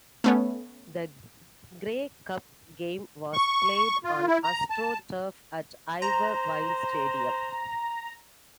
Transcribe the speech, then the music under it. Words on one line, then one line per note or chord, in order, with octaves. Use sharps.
The Grey Cup game was played on astroturf at Ivor Wynne Stadium.
A3 B3 C#4
C#6
F4
E4
A#5
A5
C5 A#5